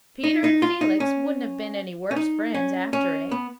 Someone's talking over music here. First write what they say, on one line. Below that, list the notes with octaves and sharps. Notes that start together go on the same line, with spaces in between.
Peter and Felix wouldn't have been any worse friends after it.
D#4
D#4
F4
D#4
C#4
C#4
D#4
C#4
C#4
B3